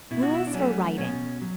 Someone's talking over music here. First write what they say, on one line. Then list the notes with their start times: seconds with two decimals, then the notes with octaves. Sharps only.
Rules for Riding.
0.11 B2 E4
0.23 F#4
0.34 E4
0.47 D4
0.54 F#3 A3 C#4
0.98 B2 C#4
1.42 F#3